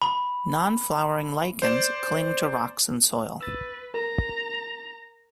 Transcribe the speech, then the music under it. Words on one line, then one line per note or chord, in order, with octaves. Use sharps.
Non-flowering lichens cling to rocks and soil.
B5
C5 D5 E7
B4 E6 A6
A#4 A#5